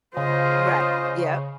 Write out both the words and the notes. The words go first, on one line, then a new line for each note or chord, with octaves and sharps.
Right, yep.
C#3 F4 C5 D#5